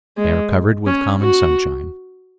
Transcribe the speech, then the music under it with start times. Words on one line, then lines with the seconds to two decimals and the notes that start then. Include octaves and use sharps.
They are covered with common sunshine.
0.18 G#3
0.87 C#4
1.21 F#4